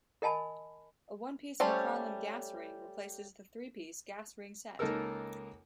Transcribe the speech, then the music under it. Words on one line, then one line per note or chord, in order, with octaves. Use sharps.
A one-piece McFarland gas ring replaces the three-piece gas ring set.
A#4 D#5 G#5 A5 B5
G3 A3 C#4 C5 C#5
C#2 A#3 D#4 A4 A#4 E6